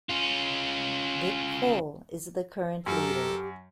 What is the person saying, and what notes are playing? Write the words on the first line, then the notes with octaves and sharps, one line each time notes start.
Dick Cole is the current leader.
C#4 F4
F#2 G4 A4 A#4